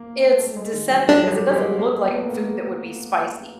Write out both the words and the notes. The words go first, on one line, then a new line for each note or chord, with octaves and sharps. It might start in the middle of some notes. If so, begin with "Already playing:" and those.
it's, eh, deceptive 'cause it doesn't look like food that would be spicy;
Already playing: A#3
A3
G#3
D#3
F#3
F#3 D4
F#3
G3
G3
G#3
A#3
B3
A3
A#3